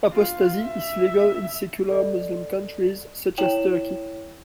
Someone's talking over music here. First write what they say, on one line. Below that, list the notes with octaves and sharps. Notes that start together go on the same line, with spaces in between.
Apostasy is legal in secular Muslim countries such as Turkey.
F4
E5
A4 D5 D#5
E4 C#5 G5 E7 F#7